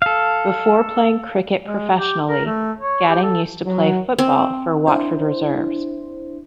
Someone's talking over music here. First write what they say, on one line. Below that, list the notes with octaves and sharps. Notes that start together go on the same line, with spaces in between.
Before playing cricket professionally, Gatting used to play football for Watford reserves.
A4 F5
G#3
G4
A#4
A3
C#5
G4
A4
F#3
C4
D4 E4 C5